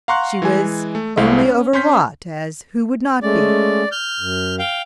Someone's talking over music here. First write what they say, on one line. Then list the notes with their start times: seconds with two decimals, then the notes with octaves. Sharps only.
She was only over-wrought, as who would not be?
0.08 F5 F#5 A#5 C6 C#6 F#6
0.42 E3 G#3 G#5
0.95 A3
1.17 C2 G#3 A3 E4 C5 F5
1.45 C#4
1.73 C#4 C6 G6 B6
3.22 G#3 A3 C#4 D5
3.92 F6 G6
4.20 F#2
4.59 F5 G5